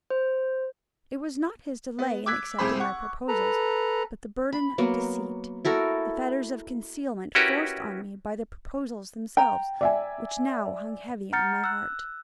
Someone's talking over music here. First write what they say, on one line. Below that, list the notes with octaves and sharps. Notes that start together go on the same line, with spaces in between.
It was not his delay in accepting my proposals, but the burden of deceit, the fetters of concealment forced on me by the proposals themselves, which now hung heavy on my heart.
C5
B3
D6 E6 F#6 G#6 B6
C2 F2 C4 G#4 C5 B5
F#5 C#6
A4 B4 A#5
B5
F#3 A#3 B3
E4 F#4 A4 A#4
C#4 E4 F#4 G4 A#4 B4
G5 A#5
D5 E5 G#5
F#5 A#5 F6 G6 A6 C#7
E6 F#6